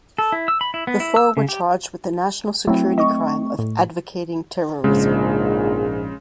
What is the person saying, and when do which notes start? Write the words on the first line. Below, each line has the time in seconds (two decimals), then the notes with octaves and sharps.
The four were charged with the national security crime of "advocating terrorism".
0.18 A4
0.32 E4
0.48 E6
0.61 B5
0.74 E4
0.87 B3
1.00 E4
1.16 E6
1.37 C#3
1.49 G4
2.67 F#3 A3 C4 E4
2.98 D#5 C#6
3.59 A2
4.84 A#1 G#2 C#3 G#3